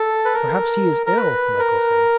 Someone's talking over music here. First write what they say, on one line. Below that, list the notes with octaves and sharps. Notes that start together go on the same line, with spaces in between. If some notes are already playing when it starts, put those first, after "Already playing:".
"Perhaps he is ill," Michael said.
Already playing: A4
B4
A#4
A#4
B4
A#4